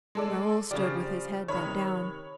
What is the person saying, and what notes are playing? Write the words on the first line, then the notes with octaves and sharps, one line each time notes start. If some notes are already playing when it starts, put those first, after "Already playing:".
Raoul stood with his head bent down.
G#3 A4 D5
C#3 F3 G3 D5
C3 D#3 C#5 B5